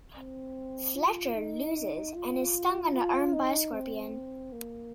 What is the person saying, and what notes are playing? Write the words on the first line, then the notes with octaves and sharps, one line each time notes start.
Fletcher loses and is stung on the arm by a scorpion.
C4
F4
D#4
F4
F4
D#4
C4
A#3